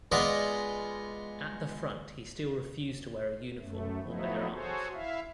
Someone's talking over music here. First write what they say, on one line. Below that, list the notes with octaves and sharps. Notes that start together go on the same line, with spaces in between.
At the front he still refused to wear a uniform or bear arms.
G#3 B3 F4 D5 D#5
F#2 A3
F3 F#3 A3 B3 D#4 E4
F#4 G#4 A4 C5 C#5
E4 E5 F5